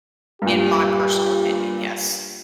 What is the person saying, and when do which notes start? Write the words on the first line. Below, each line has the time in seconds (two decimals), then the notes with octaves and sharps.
in my personal opinion, yes.
0.42 G2 A#2 G4